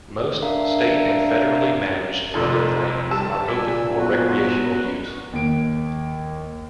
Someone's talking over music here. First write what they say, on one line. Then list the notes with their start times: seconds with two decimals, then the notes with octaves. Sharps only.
Most state- and federally managed public lands are open for recreational use.
0.42 D4 A#4 E5 F5
2.34 F1 F2 G3 D#4 A4
3.11 D#3 G3 A5 E6
3.48 A#2 G#5 E6 B6
3.98 B2 F#3 F#4 B4
5.33 D#2 D7